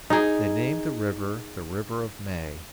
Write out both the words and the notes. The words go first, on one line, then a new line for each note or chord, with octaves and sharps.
They named the river the River of May.
D#4 G#4